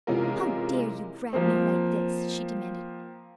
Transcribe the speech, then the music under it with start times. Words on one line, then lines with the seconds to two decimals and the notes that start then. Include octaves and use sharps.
"How dare you grab me like this?" she demanded.
0.07 C3 E3 G#3 C#4 F4 A#4
1.33 F3 A#3 C4